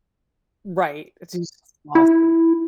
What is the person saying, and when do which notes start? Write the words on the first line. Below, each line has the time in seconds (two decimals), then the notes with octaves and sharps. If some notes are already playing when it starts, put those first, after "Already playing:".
Right, I jus exhausting.
1.95 E4